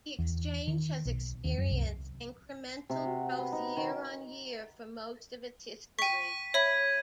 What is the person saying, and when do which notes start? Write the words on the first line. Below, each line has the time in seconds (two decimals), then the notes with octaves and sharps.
The Exchange has experienced incremental growth, year-on-year for most of its history.
0.19 E2
0.68 D#3
1.05 B1
1.44 D#2
1.58 F#2
1.71 C2
2.89 C3
3.06 F#4
3.38 B4
3.52 D#4
3.77 D#3
5.99 G5 C#6 B6 D#7
6.54 C#5 E5 B5 G#6